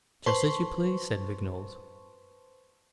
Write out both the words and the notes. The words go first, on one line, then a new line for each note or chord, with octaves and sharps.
"Just as you please," said Vignolles.
B4 C5 A5 C6 C#6